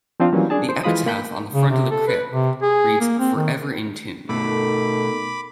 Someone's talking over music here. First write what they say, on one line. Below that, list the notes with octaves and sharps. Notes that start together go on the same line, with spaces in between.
The epitaph on the front of the crypt reads "Forever In Tune".
F3 C4 D4 F4
E3 F#3 G3 A#3 C#4
D4 G#4 A5
C5
E3 G#3 F4 B5 D#6
A#3 B5 G6
C#3
C3
A4
B4
C3
G#4
A#3
C4
D#3
B2 A3 D#4 A4 A#4 B5 D6